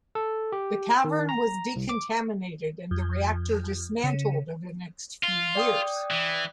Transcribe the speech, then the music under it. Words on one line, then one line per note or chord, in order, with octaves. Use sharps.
The cavern was decontaminated and the reactor dismantled over the next few years.
A4
G4
D#3
A#5
C2
D6
F2
C#3
F4
D5 G5 D#6
E3